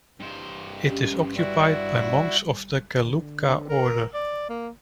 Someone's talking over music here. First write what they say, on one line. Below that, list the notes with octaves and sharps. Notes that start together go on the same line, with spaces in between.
It is occupied by monks of the Gelukpa order.
G2 C5
C#4 G4
G3 E4 F#4 D5
D3
A#4
D5
A#3